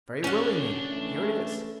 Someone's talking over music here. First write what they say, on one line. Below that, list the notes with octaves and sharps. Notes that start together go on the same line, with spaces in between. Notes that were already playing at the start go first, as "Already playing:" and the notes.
"Very willingly; here it is."
C#4 D4 C#5 F#5
E3 A3